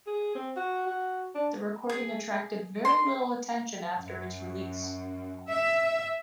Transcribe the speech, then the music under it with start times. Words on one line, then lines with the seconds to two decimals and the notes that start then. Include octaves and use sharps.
The recording attracted very little attention after its release.
0.07 G#4
0.35 C4
0.56 F#4
0.87 F#4
1.35 D4
1.90 G#4
2.85 C6
3.96 F#2
5.47 E5